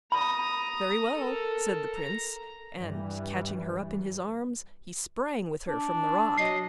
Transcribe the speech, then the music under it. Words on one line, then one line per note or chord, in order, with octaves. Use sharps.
"Very well," said the prince; and, catching her up in his arms, he sprang with her from the rock.
A#5 B5 D#6
A4 A#4
A#5
G2 E3 G3
D4
F#3 D#5 C7